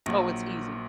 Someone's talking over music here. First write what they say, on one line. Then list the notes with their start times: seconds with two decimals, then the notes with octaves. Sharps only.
Oh, it's easy,
0.06 A#1 A#2 F#3